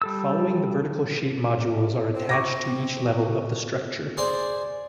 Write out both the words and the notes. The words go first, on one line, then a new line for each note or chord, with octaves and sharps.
Following the vertical shape modules are attached to each level of the structure.
G3 A4 E6
C4
C#6 D6 A#6
G#4 C5 D5 G#5